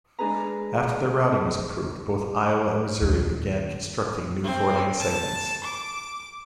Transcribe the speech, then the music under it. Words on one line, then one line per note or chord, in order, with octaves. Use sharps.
After the routing was approved, both Iowa and Missouri began constructing new four-lane segments.
G#3 D4 G#4 B4 A#5
D#2 A#2
C4
A5
D6